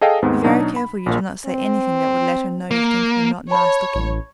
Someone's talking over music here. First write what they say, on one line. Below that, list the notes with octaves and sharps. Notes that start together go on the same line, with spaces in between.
Be very careful you do not say anything that would let her know you think her not nice looking.
G#4 A4 D#5 F5 G5
D#2 G#2 B3 C4
B2 F#3 D4 D#4
B5
A#1 A#2 A#3
C4
A#3
C#5 A5 B5
A1